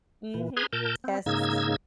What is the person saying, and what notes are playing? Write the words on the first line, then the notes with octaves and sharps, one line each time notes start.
Mhm. Yes.
A#2 E3
G#4 B4 A#5 C6 G#6
A#2 A#4 A5 G6
C4
G#2 C#3 A#3 D#4 E6 G#6